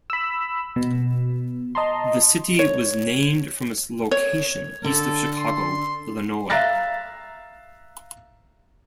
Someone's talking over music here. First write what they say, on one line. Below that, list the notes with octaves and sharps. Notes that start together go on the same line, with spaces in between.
The city was named from its location east of Chicago, Illinois.
B5 E6
B2
D#5 A5 A#5 C6
C#5
C#5
D3 A4
C6
E5 F5 A#5 F#6 A6 A#6